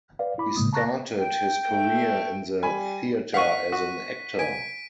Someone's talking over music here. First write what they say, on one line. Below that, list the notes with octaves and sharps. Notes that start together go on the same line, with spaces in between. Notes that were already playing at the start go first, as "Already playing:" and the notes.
He started his career in the theatre as an actor.
B4 D5 F5
E4 B5 D6
A2 C#3 G#3 A#3 D#6
A5 A#5 C#6 F#6 A6 A#6
G5
A3
G3 G#5 B5
F5 F#5 C#6 B6 D#7
F#4
G#5 B6 D7